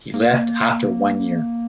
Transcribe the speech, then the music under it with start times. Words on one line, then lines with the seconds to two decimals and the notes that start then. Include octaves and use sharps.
He left after one year.
0.14 A#3